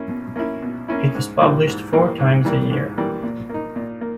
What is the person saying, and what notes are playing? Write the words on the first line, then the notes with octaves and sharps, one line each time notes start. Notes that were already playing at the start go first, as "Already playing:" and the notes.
It is published four times a year.
Already playing: A#3 C#4 E4
B2
A#3 C#4 E4
B2
A#3 C#4 E4
G#2
E3 G3 A#3
G#2
E3 G3 A#3
G#2
E3 G3 A#3
G#2
E3 G3 A#3
A#2
A#3 D#4
A#2
A#3